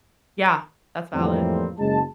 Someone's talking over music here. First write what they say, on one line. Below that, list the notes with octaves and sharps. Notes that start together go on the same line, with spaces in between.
Yeah, that's valid.
F2 A2 E3 G3 A#3 C4
F#1 C#3 G#3 A5